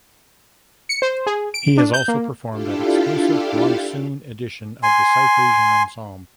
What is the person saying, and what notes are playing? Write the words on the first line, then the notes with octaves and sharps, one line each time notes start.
He has also performed at exclusive monsoon edition of The South Asian Ensemble.
C#7
C5
G#4
D7
D4
G6
A#3
D4 E4 F4 G4 A4 F5
G#5 C6